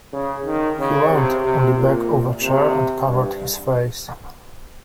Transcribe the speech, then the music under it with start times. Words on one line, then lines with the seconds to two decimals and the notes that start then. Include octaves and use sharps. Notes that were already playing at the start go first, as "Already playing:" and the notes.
He leant on the back of a chair, and covered his face.
0.13 C#3
0.46 D#3
0.79 C#3
1.11 C3
1.44 C3
1.77 A#2
2.42 C3
3.07 G2